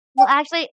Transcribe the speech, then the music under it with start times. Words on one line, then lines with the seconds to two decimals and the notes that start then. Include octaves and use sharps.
Well, actually
0.18 G5